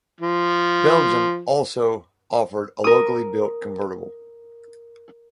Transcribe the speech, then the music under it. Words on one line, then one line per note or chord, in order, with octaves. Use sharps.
Belgium also offered a locally built convertible.
F3
A#4 D#6